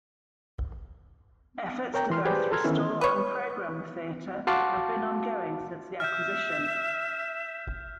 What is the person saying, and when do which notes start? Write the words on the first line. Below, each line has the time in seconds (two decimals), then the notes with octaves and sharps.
Efforts to both restore and program the theater have been ongoing since the acquisition.
1.94 A#4 C#5 G5 A#5
2.10 E3 C6 F6
2.25 G4 G#4 B4 C5 D5 G5
2.51 A4 A#5 C6 F6 G#6
2.64 D#3 E3 B3 C#4 E4
3.01 B4 C#5
4.47 F#4 F5 A5 C6 D6
6.00 E5 F6 G6